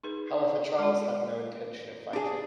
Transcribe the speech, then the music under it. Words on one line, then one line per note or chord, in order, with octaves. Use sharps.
However, Charles had no intention of fighting.
D#4 G#4 B4
G#3 F4
D4 G#4 F5